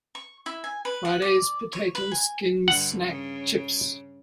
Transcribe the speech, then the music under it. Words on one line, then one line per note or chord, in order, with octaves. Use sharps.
Friday's Potato Skins Snack Chips.
C#6
E4
G#5
B4
F#5
D5
C#5
B4
G#5
G2 D3 F#5
C#3